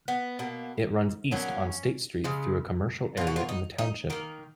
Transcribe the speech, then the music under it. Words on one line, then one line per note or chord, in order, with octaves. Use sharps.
It runs east on State Street through a commercial area in the township.
B3
B2 A#3
B2 F#3 A#3 C#4
C#3 G#3
B2 A#3 F4
F#4
F4
D#4
D#4
D#3 A#3 A#4